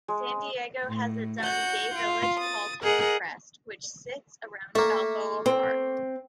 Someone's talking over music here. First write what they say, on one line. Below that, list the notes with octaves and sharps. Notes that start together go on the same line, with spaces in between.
San Diego has its own gay village called Hillcrest, which sits around Balboa Park.
G#3
A2
F#4 F#5 G6
F4
D#6 A6
G#4 A#4 D#5 F#5
A3 A#3 E5
C4